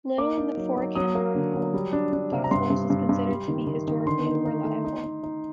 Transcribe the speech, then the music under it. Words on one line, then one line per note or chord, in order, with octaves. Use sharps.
Little in the four canonical gospels is considered to be historically reliable.
A#3 D6
D#4
F#3
F#3
F#3 D#6
A#3
D3
F#3
G3
D4
D4
C3
A#5
G2 C6
G2
G2
G2
G3
D#3
D#3
D#3
D3 C6
D#4
D#4
A3
D#4
D#4
D#4